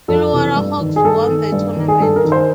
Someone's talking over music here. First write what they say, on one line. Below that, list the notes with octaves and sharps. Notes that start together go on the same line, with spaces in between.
Illawarra Hawks won the tournament.
F2 A4
C3 E3
G2
D#3
G#4
G2 A4
D#3
G2
D#3
G#4
G2 A4
A#4
D#3
C5